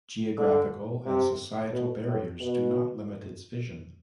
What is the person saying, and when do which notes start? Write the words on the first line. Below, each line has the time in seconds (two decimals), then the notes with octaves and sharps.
Geographical and societal barriers do not limit its vision.
0.38 D3
1.05 C3
1.72 B2
2.06 A2
2.40 B2